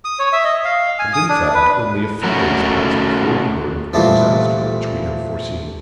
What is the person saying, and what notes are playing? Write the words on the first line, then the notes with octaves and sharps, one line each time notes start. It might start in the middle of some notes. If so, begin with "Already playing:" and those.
And, in fact, only a few days passed before we heard of the disaster which we had foreseen.
D#6
C#5
E5
D#5
F5
G#5
D#6
D4
B4
A3 C#4 F#4 A#4
A#2 E3 G3 A3 C4